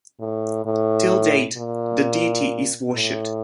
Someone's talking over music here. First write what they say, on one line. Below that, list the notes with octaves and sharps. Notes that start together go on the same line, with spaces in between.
Till date the deity is worshipped.
A2
A2
A#2
A2